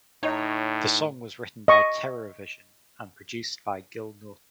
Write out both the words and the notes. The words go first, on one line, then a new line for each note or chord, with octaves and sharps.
The song was written by Terrorvision and produced by Gil Norton.
A2 D#4 C#5 D#5
D#5 C#6